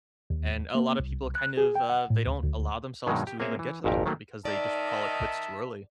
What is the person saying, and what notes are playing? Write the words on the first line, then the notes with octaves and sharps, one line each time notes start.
And a lotta people, kind of, uh, they don't allow themselves to even get to that point because they just call it quits too early.
D#2
A#3
C2
F#6
G#4
G5
F#5
A2
D2
D2
G2 B2 D#3 F#3 G#3
G4
A#3 C4 G#4 C#5 E5
E3
G#1 F2 A#2 G4 A#4
D#3 F#3 A3 A#3
D#3 D#4 D5 E5 A5